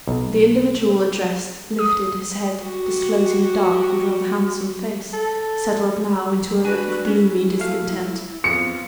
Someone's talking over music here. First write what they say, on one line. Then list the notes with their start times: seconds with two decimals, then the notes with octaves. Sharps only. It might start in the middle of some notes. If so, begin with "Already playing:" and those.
The individual addressed lifted his head, disclosing a dark and rather handsome face, settled now into a look of gloomy discontent.
0.07 B1
1.79 D#6
2.62 F#4 G4
5.13 A4
6.64 D4 F#4 B4 G#5
7.07 C#4 E4
7.60 A3 F5
8.44 F2 B3 F4 C#7